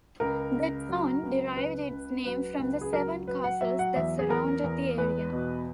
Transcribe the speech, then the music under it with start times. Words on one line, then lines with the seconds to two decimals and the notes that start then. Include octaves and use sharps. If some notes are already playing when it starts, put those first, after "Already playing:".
The town derived its name from the seven castles that surrounded the area.
0.20 C#2 A#4
0.54 C#3
0.89 F#3
1.23 C#2
1.57 C#3 B4
1.91 C#2
2.25 F#3 B4
2.59 C#2
2.81 G#4
2.93 F#3 A#4
3.27 F#3 B4
3.44 F#5
3.61 F#3 E5
3.79 F#5
3.95 E2 E5
4.19 G#4
4.30 E2 A#4
4.64 E2
4.98 E2 B4
5.32 B2